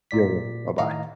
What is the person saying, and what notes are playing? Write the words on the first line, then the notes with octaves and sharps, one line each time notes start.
Yeah, yeah. Bye-bye.
A#2 D5 B6
A2 D#3 D#5 F5 A#5